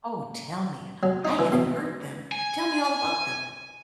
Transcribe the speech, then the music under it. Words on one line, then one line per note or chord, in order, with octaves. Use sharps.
Oh, tell me, I haven't heard them. Tell me all about them.
F#3
D#4
E3
B2
G#5